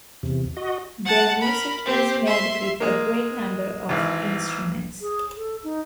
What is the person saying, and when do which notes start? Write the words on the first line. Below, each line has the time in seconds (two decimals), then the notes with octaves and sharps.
Their music is made with a great number of instruments.
0.23 E2 C3
0.57 F#4 D#5
1.05 F#5 A5
1.41 A#4 B5
1.86 C4 G4
2.26 E5 C6
2.80 G#3 A#3
3.89 G#1 E2
5.01 G#4
5.37 A4
5.64 D#4